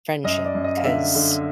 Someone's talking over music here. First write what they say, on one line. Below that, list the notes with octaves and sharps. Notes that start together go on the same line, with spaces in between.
friendship because
F#2 D#5
D5
F#2
D#5
F5
D3 E5
D3